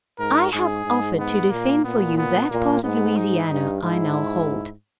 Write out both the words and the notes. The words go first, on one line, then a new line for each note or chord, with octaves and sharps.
I have offered to defend for you that part of Louisiana I now hold.
G#2 A#4
G#2 G#4
G#2
B3
A#2 A#3
A#2 B3
B3
A#2 A#3
G#2 B3
D#4
G2
G#2 E4